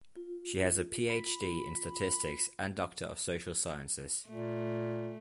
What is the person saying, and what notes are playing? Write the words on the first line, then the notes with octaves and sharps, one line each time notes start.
She has a Ph.D in Statistics and Doctor of Social Sciences.
F4
B5
A#2 A3